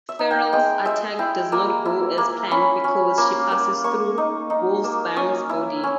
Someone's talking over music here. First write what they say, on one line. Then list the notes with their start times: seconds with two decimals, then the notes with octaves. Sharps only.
Feral's attack does not go as planned because she passes through Wolfsbane's body.
0.09 E5
0.19 D#4
0.31 G5
0.53 G#3 G5
0.85 G#3 E5
1.19 E4 G5
1.52 A#3 A#5
1.85 E4
2.18 A#3
2.51 C#4 B5
2.84 C#4
3.18 A#3
3.51 A#3
3.84 A#3 C#6
4.18 D#4
4.50 D#4
4.84 A#3
5.16 C#4 D#6
5.49 E4
5.83 C#4